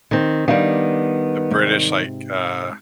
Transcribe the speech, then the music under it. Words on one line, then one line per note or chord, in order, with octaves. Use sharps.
the British, like, uh,
D#3 C4
D#3 G3 B3 D4 F5
G#2 C3